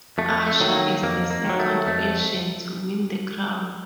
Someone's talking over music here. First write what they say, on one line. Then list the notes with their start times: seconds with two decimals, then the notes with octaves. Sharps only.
Asha is the second Asian to win the crown.
0.18 F2 A3
0.47 A3
0.60 D#3 F#3
0.74 A#3
1.03 F2 A#3
1.30 A#3
1.45 D#3 F#3
1.59 A3
1.87 F2 A3